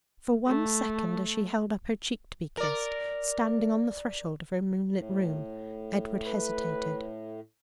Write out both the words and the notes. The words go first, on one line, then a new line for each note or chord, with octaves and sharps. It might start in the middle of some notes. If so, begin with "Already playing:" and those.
For one second, as she held up her cheek to be kissed, standing on the threshold of her moonlit room, Edward hesitated.
A3
A#4 D5
A2
B4